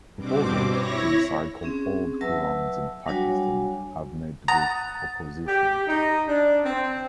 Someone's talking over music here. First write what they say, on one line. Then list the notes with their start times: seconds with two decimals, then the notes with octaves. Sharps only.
Proposals to recycle old Qurans in Pakistan have met with opposition.
0.15 G2 B2 C4 D6
0.69 E4 C#5 A#6
1.63 C4 C#4 G#4
2.21 F#3 B4 E5 A5 E6
3.06 F#3 G3 D4 F#4 C#5 G#5
4.48 F#5 A#5 D#6 A6
5.47 G4
5.87 D#4
6.28 D4
6.64 C4